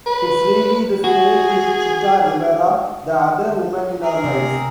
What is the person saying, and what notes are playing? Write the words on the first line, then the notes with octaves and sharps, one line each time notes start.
It's really the same with Chita Rivera, the other woman in our lives.
B4
F#4 G#4
G#4 A#4
C3